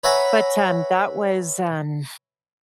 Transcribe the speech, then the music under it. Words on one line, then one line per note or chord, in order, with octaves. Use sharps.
But, um, that was an
B4 C#5 E5 F#5 G#5 A#5